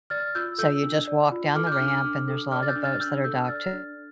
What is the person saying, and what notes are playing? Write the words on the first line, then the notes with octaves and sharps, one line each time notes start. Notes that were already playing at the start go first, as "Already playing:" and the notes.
So you just walk down the ramp and there's a lot of boats that are docked to
D5 F6 A6
F4 E6 G6
A4 E6 G6
D4
D5
F4
A4 D6 F6
G6
D6 F6
D4
D6 F6
D4
A4
D5 D6 F6
A6
E6 G6
D4
F6 A6
D4 E6 G6
A4 E6 G6
D5 F6 A6
D4